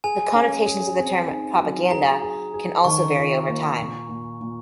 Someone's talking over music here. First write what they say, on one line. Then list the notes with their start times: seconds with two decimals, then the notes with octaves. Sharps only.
The connotations of the term "propaganda" can also vary over time.
0.04 G#4 G#5
0.35 C#4
0.66 G#4
0.97 C4
1.29 D#4
1.60 F#3
1.91 G#4 A#5
2.23 G#4
2.54 G#4
2.84 D#3 C#6
3.17 F4
3.48 A#3
3.79 A#2
4.09 A#2
4.41 A#2